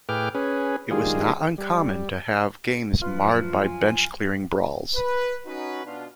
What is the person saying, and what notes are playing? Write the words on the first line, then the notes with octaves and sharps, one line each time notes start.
It was not uncommon to have games marred by bench clearing brawls.
A2 G#4 B4 G5 D6 F6
C#4 G#4 B4
D#3 G3 G#3 F4 G#4
G3
F#2 F3 F4 B4
G#5
B4
C#4 D#4 F#4 B4
B2 D4 F4